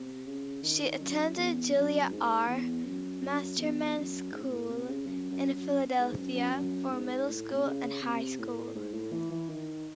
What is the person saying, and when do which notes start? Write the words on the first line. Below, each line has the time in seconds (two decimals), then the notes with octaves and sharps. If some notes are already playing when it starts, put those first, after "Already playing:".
She attended Julia R. Masterman School in Philadelphia, for middle school and high school.
Already playing: C3
0.26 C#3
0.63 D#3
1.00 F#2
1.37 E2
1.74 F#2
2.01 F#2
2.11 G#2
2.47 E2
2.85 F#2
3.21 F#2
3.58 E2
3.95 F#2
4.32 G#2
4.43 C3
4.51 A2
4.70 C3
4.88 C#3
5.07 F#2
5.31 F#2
5.55 F#2
5.99 G#2
6.17 F#2
6.35 F#2
6.54 F#2
6.91 G#2
7.28 A2
7.53 C3
7.65 C#3
8.02 C3
8.39 A2
8.75 G#2
8.93 A2
9.12 E3
9.31 E3
9.49 D#3